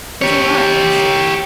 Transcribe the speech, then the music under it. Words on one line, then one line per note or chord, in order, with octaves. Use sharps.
'He's all right,' I said.
G4 C#5